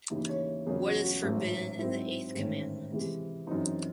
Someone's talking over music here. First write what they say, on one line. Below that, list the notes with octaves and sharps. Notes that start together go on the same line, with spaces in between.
What is forbidden in the eighth commandment?
D#2 C#3 E3 D#4
C#5
E2 C#3 F#3 C#4 G#4
F#4
F#4
A1 G#2 F#3 A3
G#2 F#3 C4 E4
A1 G#2 D#3 A3 C#4
C2 C3 E3 G#3
F#2 E3 C4 D#4